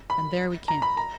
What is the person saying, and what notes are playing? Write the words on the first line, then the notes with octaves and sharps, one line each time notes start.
And there we camped.
B5
A#5
B5
A#5